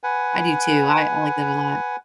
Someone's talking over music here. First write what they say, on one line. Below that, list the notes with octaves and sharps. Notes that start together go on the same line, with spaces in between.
I do too. I I like that a lot.
B4 F#5 G#5